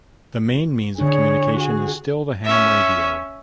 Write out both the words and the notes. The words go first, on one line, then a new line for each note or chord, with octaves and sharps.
The main means of communication is still the ham radio.
D3 D4 G#4 C#5
F#4 G#4
C#4 E5